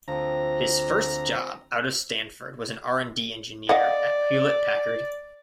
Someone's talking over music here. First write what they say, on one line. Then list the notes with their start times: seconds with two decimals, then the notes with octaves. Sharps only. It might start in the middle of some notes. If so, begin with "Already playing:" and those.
His first job out of Stanford was an R and D engineer at Hewlett-Packard.
0.08 D2 F3 C4 A#5
3.69 D5 D#5 F5 F#5